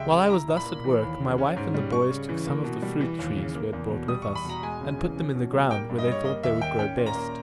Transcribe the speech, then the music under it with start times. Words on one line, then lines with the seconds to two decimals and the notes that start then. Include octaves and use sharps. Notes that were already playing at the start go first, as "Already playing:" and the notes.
While I was thus at work, my wife and the boys took some of the fruit trees we had brought with us, and put them in the ground where they thought they would grow best.
Already playing: C#2 G3 G#3 E5 G5
0.12 C#3
0.30 E4 A#5
0.48 A#2
0.57 B5
0.66 A#3
0.84 E3
1.02 D#2
1.20 C#3
1.38 C#4
1.56 G#2
1.74 G3
1.92 G3 C#6
2.10 C#3
2.29 E3
2.47 A#3
2.64 B2
2.82 G3
3.01 E3
3.19 D#2
3.37 C#3
3.55 A#3
3.73 E2
3.90 B2
4.08 G3 D#6
4.22 C#6
4.26 E2
4.35 B5
4.45 B2 A#5
4.63 G#3 G#5
4.81 C#3
4.99 E3
5.17 C#4
5.35 B2
5.53 G3
5.71 A#3 G5
5.89 G2
5.98 D#5
6.07 G3 C#5
6.25 A#3 D#5
6.43 D#2 E5
6.61 D#3 G5
6.79 C#4 G5
6.97 A#2
7.06 A#5
7.15 A#3